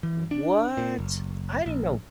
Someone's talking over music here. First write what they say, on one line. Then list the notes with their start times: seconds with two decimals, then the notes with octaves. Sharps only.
What! I didn't know
0.03 E3
0.31 D4
0.77 A#2
0.99 F#1
1.66 A#1